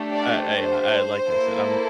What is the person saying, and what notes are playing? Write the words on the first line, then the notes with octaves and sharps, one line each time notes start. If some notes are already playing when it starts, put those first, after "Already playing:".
I I I like I said, "I'm
Already playing: A3 D4 G4
D5
C5
A#3 E4 A4